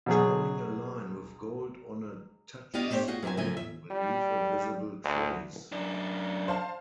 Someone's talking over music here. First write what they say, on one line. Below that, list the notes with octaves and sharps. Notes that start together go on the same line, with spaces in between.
Drawing a line with gold on a touchstone will leave a visible trace.
B2 F#3 G#4
B3 D4 F#4 G4 D#5 F5
A3 D4 G4 C5 C#5
F4 F#4 G#4 F#5
F#3 C4 B4 E5 G#5
C#3 F3 A3 A#4 E5 G#5
E5
G3
D2
F#2 D4
C5 F5 A5